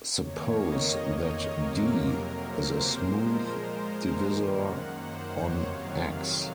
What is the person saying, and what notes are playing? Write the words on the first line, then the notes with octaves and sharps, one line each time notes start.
Suppose that "D" is a smooth divisor on "X".
F2 D#3 A#3 C#5
D#5
D#5
C#5
F2 C3 F#3 A#3 A#4
C5
A#2 F3 G#3
A#4
C5
F#2 D#3 A#3
F#5
C5
C#5
F2 C3 D#3 F#3 F5